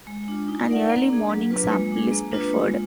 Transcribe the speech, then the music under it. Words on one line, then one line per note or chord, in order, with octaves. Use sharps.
An early morning sample is preferred.
G#3
D4 F4
D#4
A#4 D5 F#5
A#3
D4 G#4
F#3
A#3 D4 F4 B4
G#3
D4 G#4
A#3
D4 F4 B4
G#3